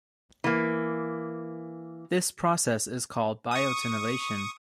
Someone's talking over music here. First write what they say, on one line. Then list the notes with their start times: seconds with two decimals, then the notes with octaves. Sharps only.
This process is called biotinylation.
0.44 E3 A#3
3.51 C#6 D#6